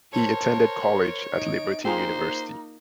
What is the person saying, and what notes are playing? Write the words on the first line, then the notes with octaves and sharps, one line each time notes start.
He attended college at Liberty University.
A#4 C5 C#5 A5
D#4 D#5 D7
A#3 D#4 F4 G#4 C5 G5 A#5